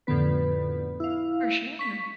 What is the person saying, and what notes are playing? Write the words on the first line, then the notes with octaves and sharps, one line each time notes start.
For sure.
F2 A2 D3 B3 B4
E4 F5
C#6 B6